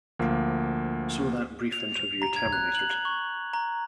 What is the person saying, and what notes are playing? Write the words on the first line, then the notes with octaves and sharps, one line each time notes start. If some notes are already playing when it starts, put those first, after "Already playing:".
So that brief interview terminated.
D2 F3 A#3
F7
F7
A#5
G#6
F#6
F#7
C#6
A#5